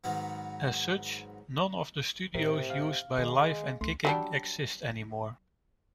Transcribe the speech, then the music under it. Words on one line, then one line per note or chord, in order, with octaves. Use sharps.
As such, none of the studios used by "Live and Kicking" exist anymore.
G#2 D#3 F#3 B3
A2 C3 A#4
F5
D#3 G#3
C#2 A3 D4 C6
F#3 G3 D4